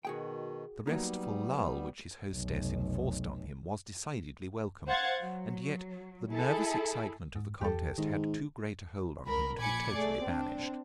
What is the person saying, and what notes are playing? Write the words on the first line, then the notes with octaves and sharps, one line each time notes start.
The restful lull which his hostess enforced on him was decidedly welcome, and yet the nervous excitement of the contest had too great a hold on him to be totally banished.
B2 D#3 F#4 G#4 G5
F#3 G3 A#3 B3 D#4
F1 B1
C5 F5 F#5 G#6 A6
F#3
E4 G#4 A4
G#2
E2 G4 A4
G#2 D#3
C#2 A#4 B5
A#1 G#5 B5 D6 G#6 C#7
A3 G#4 D5
C4 D4